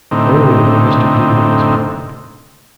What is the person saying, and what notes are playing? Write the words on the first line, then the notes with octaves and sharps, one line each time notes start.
Oh, but Mr. Doodle was proud!
A2 D3 C4 D#4